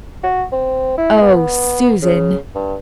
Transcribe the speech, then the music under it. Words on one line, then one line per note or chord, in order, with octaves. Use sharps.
"Oh, SUSAN!"
F#4
C4
E4
B3
C#3
G2